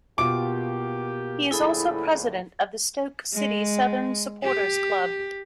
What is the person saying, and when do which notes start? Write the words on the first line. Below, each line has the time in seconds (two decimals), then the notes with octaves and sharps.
He is also president of the Stoke City Southern Supporters Club.
0.18 B2 A#3 F4 G4 D6 D7
1.51 A#1 A2 D3 E4 G#4 A4 B5
3.33 G#3
4.42 G4